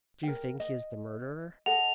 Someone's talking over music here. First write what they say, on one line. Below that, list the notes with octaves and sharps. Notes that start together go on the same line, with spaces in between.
"Do you think he is the murderer?"
A#4 G5
D#5
A4 D#5 F#5 F7